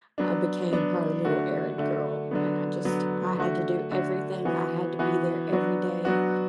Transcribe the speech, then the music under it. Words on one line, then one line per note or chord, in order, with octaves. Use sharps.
I became her little errand girl, and I just I had to do everything. I had to be there every day.
F#3 B3 D4
F#3 B3 D4
D3 A3 F#4
D3 A3 F#4
D3 F#3 B3
D3 F#3 B3
D3 A3 F#4
D3 A3 F#4
E3 B3 F#4
E3 B3 F#4
F#3 B3 D4 F#4
F#3 B3 D4 F#4